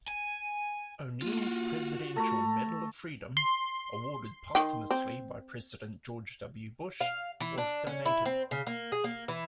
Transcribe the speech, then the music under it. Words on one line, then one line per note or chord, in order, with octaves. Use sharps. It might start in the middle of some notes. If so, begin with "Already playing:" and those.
O'Neil's Presidential Medal of Freedom-awarded posthumously by President George W. Bush-was donated.
G#5
A#3 F4 F#4
A3 A4 A#5 C#6
C6
D#3 G5
C4
F5
E3
D4
C#4
E4
C4
C#3
A#3
G#4
A#3
E3